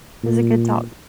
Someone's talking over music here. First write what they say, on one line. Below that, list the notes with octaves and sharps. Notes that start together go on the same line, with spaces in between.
It was a good talk.
A#2